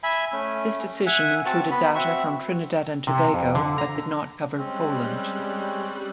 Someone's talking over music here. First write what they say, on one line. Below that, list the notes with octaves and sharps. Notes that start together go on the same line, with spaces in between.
This decision included data from Trinidad and Tobago but did not cover Poland.
E5 G#5 B5
A3 C#4
E5 F#5 G#5
C4 F#4 A5
B3 B5
C4 F#4 E5
C3
F2
D3
A#5
G3 G#3 C4 C#4 F#6